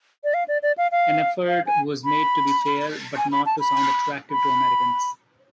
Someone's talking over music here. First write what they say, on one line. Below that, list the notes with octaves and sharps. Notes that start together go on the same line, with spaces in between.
An effort was made to be fair but not to sound attractive to Americans.
D5
F5
D5
D5
F5
F5
F5
G#5
B5
G#5
B5
A5
B5
B5